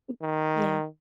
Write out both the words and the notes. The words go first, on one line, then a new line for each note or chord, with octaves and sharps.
M Yeah.
D#3